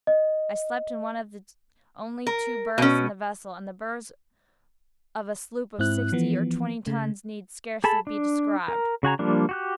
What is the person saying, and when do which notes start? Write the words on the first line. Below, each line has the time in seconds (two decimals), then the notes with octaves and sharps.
I slept in one of the only two berths in the vessel--and the berths of a sloop of sixty or twenty tons need scarcely be described.
0.07 D#5
2.27 A#4
2.78 B2 C#4
5.79 G#2 C4 E4 F#6
6.12 E3 F3 B3
6.87 C#3 A3
7.84 G#4 A4 A5 B5
8.07 D4
8.68 A#4
9.03 C#3 F#4 G#5 A#5
9.19 F3 G3 A#3 D4
9.49 F#4 G4 F#6